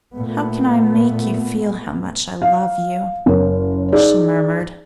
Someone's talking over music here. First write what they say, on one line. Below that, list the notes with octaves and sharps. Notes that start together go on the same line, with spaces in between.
'How can I make you feel how much I love you?' she murmured.
A#2 A3 B3
F5
F#1 A#4 C#5
D#4 G#4 D5